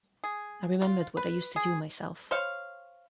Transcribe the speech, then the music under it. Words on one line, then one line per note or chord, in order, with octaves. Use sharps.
I remembered what I used to do myself.
G#4
F4
B4
G#4
C5 C#5 F5